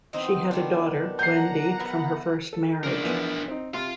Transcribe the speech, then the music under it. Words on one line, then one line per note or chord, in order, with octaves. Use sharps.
She had a daughter, Wendy, from her first marriage.
E2 C4 D#4 D#5
B2 D#3 G3 D4
F#3 D#5 F#5 G#5 A#5 G6 C7
E3 B3
A4
C#3 F3 D4 A#4
E3 F3 B3
C4 D#4
C3 F5 C6